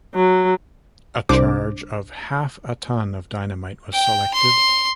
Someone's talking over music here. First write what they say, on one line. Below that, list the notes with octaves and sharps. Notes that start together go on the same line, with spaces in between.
A charge of half a ton of dynamite was selected.
F#3
C2 D4 C5 D6
G5
C6